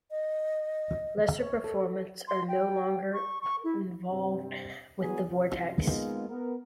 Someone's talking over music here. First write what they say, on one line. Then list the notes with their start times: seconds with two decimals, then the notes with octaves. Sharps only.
Laser Performance are no longer involved with the Vortex.
0.11 D#5
1.39 C#5
1.64 A4
2.28 C6
2.48 G5
3.13 C#6
3.41 C#6
3.64 E4
4.10 G2 C3 G3 C4
5.00 E3 F#3 G3 B3 G#4
5.31 F#2 C3 F4
5.81 G#3 A#3 B3 D#4 F4
6.30 B3 A#4